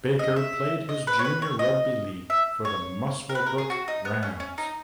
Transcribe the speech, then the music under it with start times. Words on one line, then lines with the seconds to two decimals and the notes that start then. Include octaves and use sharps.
Baker played his junior rugby league for the Muswellbrook Rams.
0.19 D#5
0.36 E5
0.89 D#5
1.07 B4
1.19 C#5
1.25 B4
1.42 C#5
1.59 D#5
2.30 E5
2.65 C#5
3.29 A#4
3.35 B4
3.46 A#4
3.58 G#4
3.70 F#4
3.88 D#4
4.05 B3
4.23 C#4
4.40 C#4
4.58 D#4